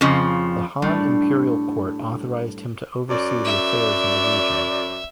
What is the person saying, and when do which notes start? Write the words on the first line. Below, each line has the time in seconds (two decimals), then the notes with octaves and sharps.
The Han imperial court authorised him to oversee the affairs in the region.
0.01 F2 C#3 F3
0.82 A2 G3 D4
3.09 F#2 D5
3.44 E5